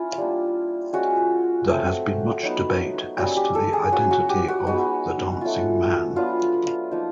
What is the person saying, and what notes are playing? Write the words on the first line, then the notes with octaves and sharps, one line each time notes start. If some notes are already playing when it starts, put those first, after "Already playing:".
There has been much debate as to the identity of the dancing man.
Already playing: C#4 E4 F4
G3 A#3 D4
G#3 C#4 F4 F#4
F#3 A3 C4
F#3 B3 D#4
G3 A#3 C#4 F#4
G4
A4
G#4
F#3 A#3 C#4 F#4
F#4
G4
F#4
G#3 B3 D#4 F#4
A3 C#4 F4
F#3 B3 D4 F4
F3 A#3 D#4